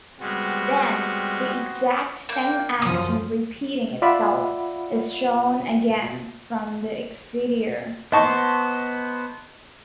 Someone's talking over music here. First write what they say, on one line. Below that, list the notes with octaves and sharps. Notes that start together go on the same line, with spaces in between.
Then the exact same action repeating itself is shown again from the exterior.
G3 G#3 B3 C4 F#4
A#3 G5
F#2 F3 D#6
F4 D5 E5 F#5 B5 E6
B3 C5 D#5 A5 C#6